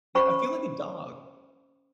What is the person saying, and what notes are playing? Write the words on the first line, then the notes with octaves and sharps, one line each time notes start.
Yeah, I feel like a dog.
C#4 C5 B5 C#6